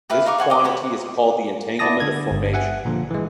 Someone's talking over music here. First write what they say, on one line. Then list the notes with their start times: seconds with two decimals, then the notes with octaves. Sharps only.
This quantity is called the entanglement of formation.
0.10 G4 B4 E5 F5
0.26 D#4 F5 C#6 D6
0.38 C5 F#5 G#5 C#6
0.50 D#5 D6
0.64 F#4 G4 B4 C#5
1.79 B3 E4 D5 A5 D#6 A#6
2.00 D3 A4 G#6
2.31 G1
2.53 E5 F#5 G#5
2.85 A#2 D3 F3
3.10 E3 G#3